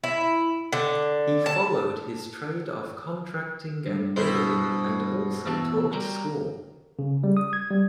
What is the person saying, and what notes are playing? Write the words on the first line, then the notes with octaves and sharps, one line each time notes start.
He followed his trade of contracting and building and also taught school.
E4
D3
A5
G2
B2 E4 C5
E2 A3 A4
F#3 G3 A#4
C#3
G3
D#6
G#6
G3